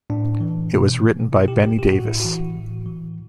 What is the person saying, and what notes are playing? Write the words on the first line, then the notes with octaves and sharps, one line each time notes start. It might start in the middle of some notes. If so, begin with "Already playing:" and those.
It was written by Benny Davis.
A2 D4
E3
B2
B2 E4
G4
G4
G4
A2 F#4
E4
E3 F#4
A2
E3